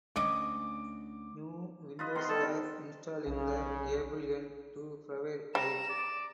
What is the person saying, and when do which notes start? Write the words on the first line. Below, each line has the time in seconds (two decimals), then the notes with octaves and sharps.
New windows were installed in the gable end to provide light.
0.16 D2 C#4 D#5 D6
1.99 F4 B4 D#5
2.15 C3 D#3 B3 C6
2.29 G3 A4
3.27 B1 C#3
5.55 G3 A#5 E7
5.89 D5